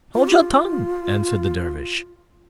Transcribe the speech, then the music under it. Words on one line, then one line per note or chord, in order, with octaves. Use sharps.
"Hold your tongue," answered the Dervish.
F4
G4
F4